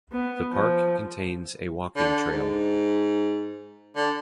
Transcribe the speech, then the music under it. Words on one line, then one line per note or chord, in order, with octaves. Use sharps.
The park contains a walking trail.
B3
F3
D3
G#2
D3